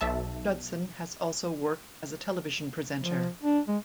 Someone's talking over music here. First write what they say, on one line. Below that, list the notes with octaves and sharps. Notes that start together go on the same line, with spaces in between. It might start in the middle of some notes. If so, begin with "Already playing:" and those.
Judson has also worked as a television presenter.
B1 E5 A5
F3
D4
G#3